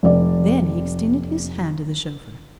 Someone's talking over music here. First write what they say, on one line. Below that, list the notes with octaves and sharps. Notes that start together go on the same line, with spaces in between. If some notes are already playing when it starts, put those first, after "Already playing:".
Then he extended his hand to the chauffeur.
F1 D5